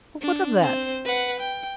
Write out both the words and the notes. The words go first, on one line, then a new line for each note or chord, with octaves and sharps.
But what of that?
D4
C4 C5
B4 F#5
G5